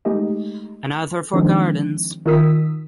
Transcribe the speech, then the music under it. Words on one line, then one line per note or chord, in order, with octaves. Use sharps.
Another for gardens.
G#3 A3 D#4 G4 D#5
D#3 F3 G#3 C4 D4 D#4
D#3 F4 A#4 D#6 E6 B6